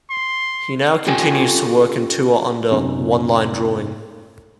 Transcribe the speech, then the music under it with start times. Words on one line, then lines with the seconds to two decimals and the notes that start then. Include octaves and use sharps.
He now continues to work and tour under onelinedrawing'.
0.11 C6
1.07 C#4 F4 G4 A4 G5 G#5
2.71 F#2 C3 B3 C#4 D#4